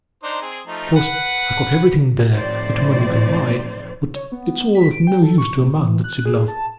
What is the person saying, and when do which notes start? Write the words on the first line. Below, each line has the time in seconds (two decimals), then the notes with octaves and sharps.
Of course I've got everything there that money can buy,--but it's all of no use to a man that's in love.
0.23 D4 D#4 C5
0.42 C4 G#4
0.67 F3 A3 D#4
0.96 B4 F#5
2.33 A2 C3 D#3 F3 C5 D5
4.15 C#5
4.32 B3
4.75 B6
4.91 D7
5.07 G5
5.23 A4
5.38 C#6
5.59 A#2
5.77 E3
6.04 F#6
6.26 G#4
6.48 A5